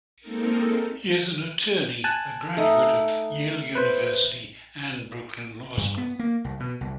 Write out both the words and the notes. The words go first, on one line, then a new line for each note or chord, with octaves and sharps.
He is an attorney, a graduate of Yale University and Brooklyn Law School.
G#3 A#3 C4 D#4 A4 A#4
G#5 A5 F#6
A3 D#4
B4 C5
G2
B3
A#3
C2
B2
C2